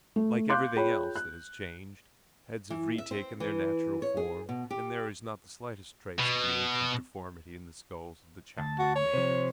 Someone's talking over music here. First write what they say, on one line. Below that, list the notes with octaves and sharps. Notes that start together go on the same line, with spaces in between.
Like everything else, that has changed; heads have re-taken their natural form, and there is not the slightest trace of the ancient deformity in the skulls of the chaplet-makers.
A3
F5 C6 D6 F#6 G6
F4 G#4 C#5 G5 B5
F#6
E3
E5
C4
E3
C#5
G#4
B2
G4
B2
D2 A5
F#4
C#5
C3 F3 C5